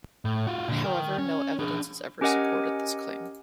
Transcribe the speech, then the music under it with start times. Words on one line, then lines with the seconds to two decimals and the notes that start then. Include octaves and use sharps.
However, no evidence has ever supported this claim.
0.25 A2
0.47 F4 F#4
0.68 A#2 D3
0.84 A#4 G5
1.18 C#4
1.59 D4 G#4
2.21 C#4 G4 A#4 D#5 F#5 G#5